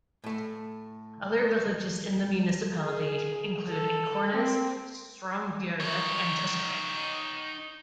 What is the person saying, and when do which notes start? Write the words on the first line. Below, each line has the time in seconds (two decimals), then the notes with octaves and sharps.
Other villages in the municipality include Ikornnes, Straumgjerde, and Tusvik.
0.24 A2 A3
2.81 G#4
3.69 A4
4.35 C4
5.80 D#4 C#5